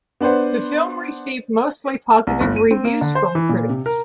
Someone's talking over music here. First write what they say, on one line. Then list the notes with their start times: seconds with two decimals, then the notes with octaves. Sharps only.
The film received mostly positive reviews from critics.
0.21 B3 D4 B4 C5 F#5
2.27 C2
2.41 G1
2.56 D#7
2.71 C4
2.85 A#3
3.01 D3
3.15 C5
3.35 E3
3.49 A#2
3.69 C3
3.86 A#4